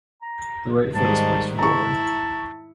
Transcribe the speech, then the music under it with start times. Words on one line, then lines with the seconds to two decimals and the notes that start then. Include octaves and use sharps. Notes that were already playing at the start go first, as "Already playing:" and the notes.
The right foot is placed forward.
0.22 A#5
0.95 G#2 D#3 G3 A5
1.59 E4 A5 A#5 C#6